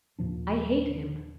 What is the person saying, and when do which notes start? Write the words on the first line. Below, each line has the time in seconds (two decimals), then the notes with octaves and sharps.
"I hate him!"
0.19 D#2 A#2 F3 D4